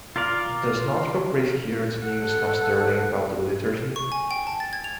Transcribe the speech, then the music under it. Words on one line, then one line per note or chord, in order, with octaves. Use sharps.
Does not your Grace hear the news from Stirling about the liturgy?
F4 A#4 D5 F5
A4 F#5
C#6
G#5
G5
A5
A6
G#6
F7